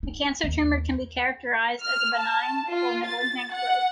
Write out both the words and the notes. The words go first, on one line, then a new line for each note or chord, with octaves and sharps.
A Cancer tumor can be characterized as a benign or malignant growth.
D#4
D#2
F6
A5
F4
A6
F#5